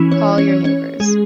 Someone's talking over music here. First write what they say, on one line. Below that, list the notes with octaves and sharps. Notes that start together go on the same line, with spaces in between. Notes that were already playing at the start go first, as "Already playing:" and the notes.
Call your neighbors!
Already playing: E3 C#4 E4
C#4 C#5
C#4 C#5
C#4 C#5
G#3 G#4